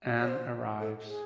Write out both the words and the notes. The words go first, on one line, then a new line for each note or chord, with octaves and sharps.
Anne arrives.
C#5
C5
A4
G#4